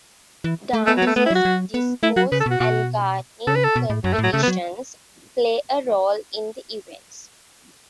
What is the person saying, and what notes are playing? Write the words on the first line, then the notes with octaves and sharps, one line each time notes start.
Dances, discos and gardening competitions play a role in the events.
E3
A3
A3 B3
F#3
A3 B3
A3 B3
E4
F#3 F#4
F#3
B3
A3 E4
F#3 F#4
C#3 B4
A4
B2 F#4
B2 F#4
C#3 A4
B4
A4
B2
A2
F#2 F#3
A3
A2
F#3
C#3 A3
B3
F#3